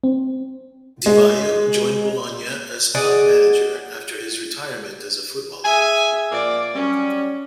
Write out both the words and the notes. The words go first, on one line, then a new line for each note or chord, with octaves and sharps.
Di Vaio joined Bologna as club manager after his retirement as a footballer.
C4
G#3
G#4 D5 D#5 F#5
G#4 E5 G#5
A#2 F3 A#3 D5
F#3 G3 C#4